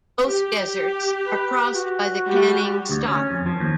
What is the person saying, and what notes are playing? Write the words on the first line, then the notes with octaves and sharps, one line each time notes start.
Both deserts are crossed by the Canning Stock Route.
G4
B4
F#4
G3 G4
D2
C#4
F2
F3
D#2